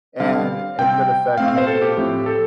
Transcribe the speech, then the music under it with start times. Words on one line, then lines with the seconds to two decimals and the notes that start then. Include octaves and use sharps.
and it could affect, maybe,
0.20 D3 G3 C4 F5
0.79 C3 G3 C4 G5
1.37 A2 A3 C4 F5
1.48 F5
1.58 C5
1.67 A4
1.82 G4
1.97 A2 F3 A3 C4
2.26 A4